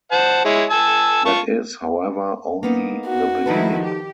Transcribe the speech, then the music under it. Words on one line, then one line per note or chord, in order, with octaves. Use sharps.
That is, however, only the beginning.
C5 F#5 A5
G#3 E4 C#5
G#5 A5 E6
F4 A5 C#6
A#3 B3 D#4
F#4
D#3 F3 D#4 E4 A4 B4
G4